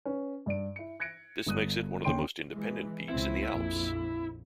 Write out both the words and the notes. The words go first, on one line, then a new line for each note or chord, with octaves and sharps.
That makes it one of the most independent peaks in the Alps.
C#4 B4
G2 D5 D7
E4 C#7
F#6 G#6 A#6 C#7 D7
G1 G2 D#6 F#6 D#7
D#2 D3 C#4 G5 C6 D7
E3 G#3
C#2 C4 E4
A#1 F2